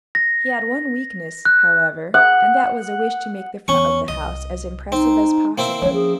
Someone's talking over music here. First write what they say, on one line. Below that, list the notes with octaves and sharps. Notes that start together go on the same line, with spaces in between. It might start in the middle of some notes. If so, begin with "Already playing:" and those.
He had one weakness, however, and that was a wish to make the front of the house as impressive as possible.
A#6
F#6
F#5
E2 C#4 C#6
C2 D#5
C4 D#4
A#3 C4 E4
F3 C#4 C#5
G#4